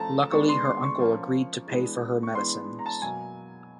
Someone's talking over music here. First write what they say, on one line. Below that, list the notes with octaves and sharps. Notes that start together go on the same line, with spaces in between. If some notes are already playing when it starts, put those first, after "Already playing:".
Luckily her uncle agreed to pay for her medicines.
Already playing: F3 A3 C#4 A5 A#5
D#3 G#3 B3 D4 C#6
C6
C6
C#6
F3 A#3 C#4
E3 G#3 B3 D4
C#6
E3 G#3 B3 D4 C6
A#5
A5
B2 F#3 A#3 G#5